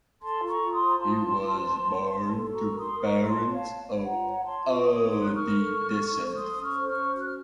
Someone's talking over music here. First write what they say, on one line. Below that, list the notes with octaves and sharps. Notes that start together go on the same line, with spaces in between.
He was born to parents of Adi descent.
A4 A5 C6
F4
A#5 C#6
F4
C6 D#6
C5
A#5
F4 A5 C6
F4
F4
C5
C5
C5
C#4
A4
F#4 A#5 C#6
A#4
C6 D#6
A#4 D#6
A#5 C#6
C#5
F4 A5 C6
C#5
F5 A5
C#5
C#5
F4 F#5 A#5
C#5
A#5
C#5 A5 C6
F4
C#5 C6 D#6
D#4
C6 D#6
A#4 F#6
C#6 F6
A#4
A4
A4
A4
C5
A4 C6 D#6
C#4
C#6 F6
C5
C#6 F6
C#4
F#4
F#6
F6